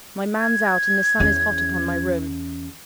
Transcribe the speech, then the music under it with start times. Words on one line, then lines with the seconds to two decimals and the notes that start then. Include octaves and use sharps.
My man's out, and the sun is hot upon my room.
0.40 G#6
1.20 E2 C#4